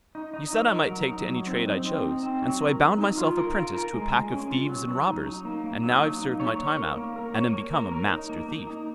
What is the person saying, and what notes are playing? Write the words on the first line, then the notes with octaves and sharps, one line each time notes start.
'You said I might take to any trade I chose, and so I bound myself apprentice to a pack of thieves and robbers, and now I've served my time out, and am become a Master Thief.'
D#4
D#4
F#3
A#4
F#3
D#4
F#3
C4
D#4
C4
D#4
C4
F#3
A#4
F#3
D#4
F4
A#4
F4
A#4
G#3
G#3
C#4
F4
F#3
F#3
D#4
D#4
A#3
A#3
F#3
D#4
A#3
C#5
C#5
A#4
A#3
A#4
C#5
A#3
A#4
A#4
D#4
A#3
A#3
D#4